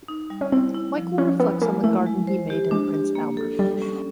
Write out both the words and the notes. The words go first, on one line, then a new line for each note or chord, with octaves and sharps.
Michael reflects on the garden he made in Prince Albert.
D#4
G3
C#4
C4 E4
E4
F3
F3 C#4
B3 E4
G#3 A#3
A3 E4
G#3
C5
G4
G#3 D4
G4
A#3
A4
G3 A4
C#4